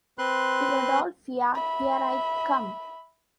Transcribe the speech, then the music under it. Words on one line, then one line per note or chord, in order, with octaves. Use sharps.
Philadelphia, Here I Come!
C4 B4 C6 F#6
E5 B5